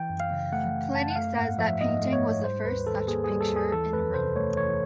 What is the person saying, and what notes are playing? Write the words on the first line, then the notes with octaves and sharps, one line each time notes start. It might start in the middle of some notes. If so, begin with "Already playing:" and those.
Pliny says that the painting was the first such picture in Rome.
Already playing: E3 G5
F#2
F5
C#3
A3 F#5
E3
F#2 A5
F#5
A3 F5
G#2 F#5
F3 E5
G#2 D#5
A3
C#5
G#2
G3 C5
D#2 B4
D#3 A4
A#3 G#4
G#4
G3
A4
D#2
G#4
E3 A4
F2 B4
C3 C5
A3 C#5
E3 C#5